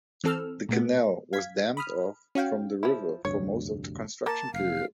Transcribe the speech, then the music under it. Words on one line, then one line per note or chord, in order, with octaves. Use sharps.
The canal was dammed off from the river for most of the construction period.
E3 C4 A4 E6 F6
A#2 A3 B3
F5 G#6 B6
B5 D#6 F6
C#4 F#4 F5 G5
F3 E4
F1 D2 G2 C#5
A#3 A5
F1 F5